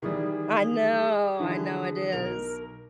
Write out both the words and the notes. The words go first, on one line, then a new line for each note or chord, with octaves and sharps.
I know, I know it is.
D#3 E3 G3 G#4
D3 E3 F3
B1 A#4 F7